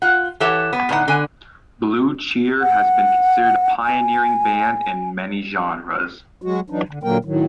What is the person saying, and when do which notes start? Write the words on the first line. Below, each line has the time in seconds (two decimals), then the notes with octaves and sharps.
Blue Cheer has been considered a pioneering band in many genres.
0.02 F4 F#5
0.40 E3 G4 A4 C#5 F#5 A5
0.73 B3
0.89 A2 D3 D#4 F#5
1.08 D3 G#5
2.62 F#5
3.83 G#5
6.42 F#3 G#3 F#4
6.70 E3 F#3 D4 D#4
6.89 D3
7.03 A#2 D3 F#3 A#3 A#4 G5
7.25 A2 D#3 F#3